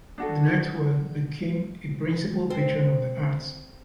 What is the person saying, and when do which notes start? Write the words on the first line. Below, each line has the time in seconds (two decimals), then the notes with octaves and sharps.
The network became a principal patron of the arts.
0.18 D4 F#4 A4
2.50 C4